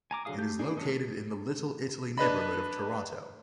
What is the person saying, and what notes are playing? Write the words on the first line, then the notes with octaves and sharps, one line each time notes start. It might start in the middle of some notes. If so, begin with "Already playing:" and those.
It is located in the Little Italy neighbourhood of Toronto.
G#5 A#5 D6
D3 F#3 G#4 F5 D#6
A3 G4 G6
A#3 D4 D#4 G#4
F#3 G#3 C#4 A4 D#5
D4 B4 D#5 B5